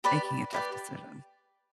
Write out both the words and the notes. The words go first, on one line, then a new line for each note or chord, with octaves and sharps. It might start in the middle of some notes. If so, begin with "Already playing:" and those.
making a tough decision?
G4 B4 D5 B5
G4 B4 D5